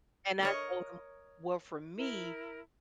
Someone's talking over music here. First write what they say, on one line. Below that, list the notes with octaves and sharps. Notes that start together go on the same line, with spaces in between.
And I told him, "Well, for me,
A#4 C#5 D#5
E4 A#4